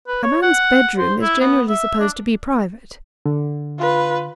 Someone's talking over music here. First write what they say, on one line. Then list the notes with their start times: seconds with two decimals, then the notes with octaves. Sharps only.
"A man's bedroom is generally supposed to be private."
0.07 B4
0.23 C#5
0.42 F#5
0.99 C5
1.22 E4
1.41 B3
1.69 E5
2.00 D4
3.26 D3
3.78 F4 B4